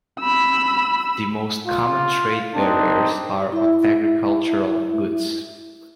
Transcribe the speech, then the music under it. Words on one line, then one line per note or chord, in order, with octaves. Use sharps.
The most common trade barriers are on agricultural goods.
B5 E6
F4
C4 D4 D#4
E4 E5